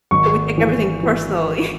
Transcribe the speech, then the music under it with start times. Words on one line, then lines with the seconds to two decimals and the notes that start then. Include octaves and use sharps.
So we take everything personally.
0.11 G#1 C#6
0.58 E3
1.03 E3